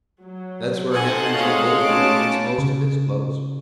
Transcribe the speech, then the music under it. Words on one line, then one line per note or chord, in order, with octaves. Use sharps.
That's where Henry B. Boltwood gets most of his clothes.
F#3
C4 D#4 A4 F#5 G#5 C6
G#3 C#5 F5
A3 C#4 D#4 A5 D6
C#3